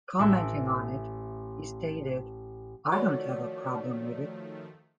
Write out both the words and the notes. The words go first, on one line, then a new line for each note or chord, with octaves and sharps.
Commenting on it, he stated, I don't have a problem with it.
A1 A4 E5 D7
D#3 F3 A3 F#4 C#5 D5